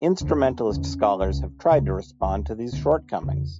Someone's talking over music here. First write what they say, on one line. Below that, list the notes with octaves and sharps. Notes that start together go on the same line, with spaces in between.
Instrumentalist scholars have tried to respond to these shortcomings.
E2 D3 D4
B3
E2 D3 C#4
C#2 C#3
C#2 C#3 B3
D2 D3
D2 D3 B3
E2 C#3